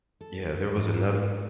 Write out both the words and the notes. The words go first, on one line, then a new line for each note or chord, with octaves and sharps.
yeah, there was another
A4
G#2